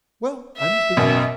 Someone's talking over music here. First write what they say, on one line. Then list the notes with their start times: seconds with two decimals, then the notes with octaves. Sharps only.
Well, I must be off.
0.57 E5
0.97 A1 F#2 B2